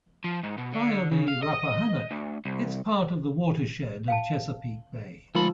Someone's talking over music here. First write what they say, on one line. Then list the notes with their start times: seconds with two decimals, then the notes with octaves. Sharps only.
Via the Rappahannock, it is part of the watershed of Chesapeake Bay.
0.24 F3
0.43 G#2
0.58 B2
0.73 D3
1.12 C#3
1.28 F5
1.43 D#5
2.11 D2
2.45 C2
4.08 F5 G5 A5
5.35 D2 F3 G#3 D#4 A#4 B5